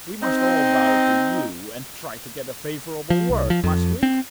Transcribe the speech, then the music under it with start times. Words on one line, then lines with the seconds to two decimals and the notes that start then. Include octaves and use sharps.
We must all bow to you, and try to get a favorable word, must we?
0.21 C4 D#4
3.10 F3
3.30 C2
3.50 F3
3.64 F2
4.03 C4